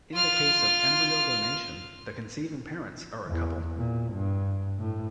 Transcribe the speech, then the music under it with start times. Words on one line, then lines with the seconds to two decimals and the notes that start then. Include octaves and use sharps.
In the case of embryo donation, the conceiving parents are a couple.
0.14 F4 F6
3.27 E2
3.77 A#2
4.13 G2
4.79 A2